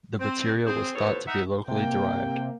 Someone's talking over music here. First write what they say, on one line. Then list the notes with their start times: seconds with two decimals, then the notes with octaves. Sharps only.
The material was thought to be locally derived.
0.20 C4
0.65 C4 G#4 C5
0.95 D#2 A2 B3 A4 C5 C#5
1.27 D#4 E5 F#5
1.68 C3 A#3 G5